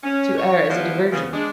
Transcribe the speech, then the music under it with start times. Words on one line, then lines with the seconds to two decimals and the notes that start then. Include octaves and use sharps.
To err is a diversion.
0.04 C#4
0.38 C#5
0.69 F3 G3 B3 E4 F4 C5
1.11 C#3 F3 B3
1.33 G#3 D4